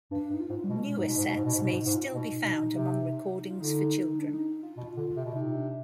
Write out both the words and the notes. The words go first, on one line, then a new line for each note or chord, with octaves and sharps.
Newer sets may still be found among recordings for children.
G2 D4
G2
D#4
F4
G#2
G3
B2 G#3
G#2 D#4
B2
G#2
B2 D#4
G#2
B2
G#2
B2
G#2
G#2 D#4
F4
D#4
B2
B2 D#4
C3
F4
D3 D#4
D4
D#4
F4
B2
D3
C3
B2
C3 D#4
D4